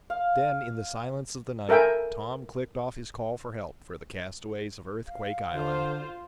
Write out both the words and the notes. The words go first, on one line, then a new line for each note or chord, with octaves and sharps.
Then, in the silence of the night, Tom clicked off his call for help for the castaways of Earthquake Island.
F5
A4 A#4 E5 G5 G#5
F5
D3 F4 C5